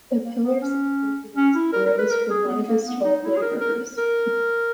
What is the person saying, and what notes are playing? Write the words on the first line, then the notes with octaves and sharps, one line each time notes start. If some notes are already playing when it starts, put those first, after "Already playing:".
The pillars of Hercules arose from one of his twelve labours.
A#3
B3
C#4
C#4
E4
A#4
A#4
B4
A#4
G#4
B3
A#3
B3
D#4
E4
G#4
A#4
A#4
A#4